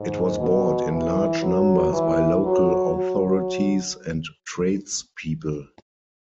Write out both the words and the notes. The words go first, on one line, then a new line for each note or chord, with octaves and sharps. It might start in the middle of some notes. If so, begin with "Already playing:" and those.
It was bought in large numbers by local authorities and trades people.
Already playing: G#2
B2
E3
F#3
E3
F#3
F#3